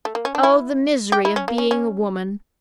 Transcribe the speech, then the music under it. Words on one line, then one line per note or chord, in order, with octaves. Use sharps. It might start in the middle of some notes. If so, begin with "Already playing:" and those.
Oh, the misery of being a woman!
A3
A#3
C#4
D4
E4
G4
E4
C#4
A#3
C#4
C#4